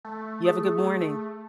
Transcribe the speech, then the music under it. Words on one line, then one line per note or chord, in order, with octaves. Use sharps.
You have a good morning.
A3
G#4 D#6